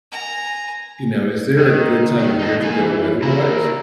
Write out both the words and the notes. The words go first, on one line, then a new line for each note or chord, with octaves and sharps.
you know, is there a good time of year to go weather wise?
G#5 A#5
D#3
D#3
D#4 A4
A#3 G#5
E3
E4 A#4